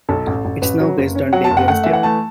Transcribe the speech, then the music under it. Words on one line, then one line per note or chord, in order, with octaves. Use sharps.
It's now based on Debian Stable.
B1 A4
A1
A1
A1 B4
F#3
F#1
C#4
F#3 F#5
A5
F#1
F#5
A3 F#5
E3 E5
F#5
A3 A5